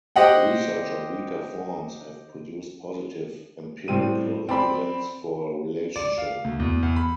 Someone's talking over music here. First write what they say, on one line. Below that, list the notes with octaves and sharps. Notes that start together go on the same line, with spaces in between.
Research on weaker forms have produced positive empirical evidence for a relationship.
G4 C5 D#5 F#5 G5
A2 G3 C4 D#7
C4 D5 B5
D5
F5
D2
E2
E2
B5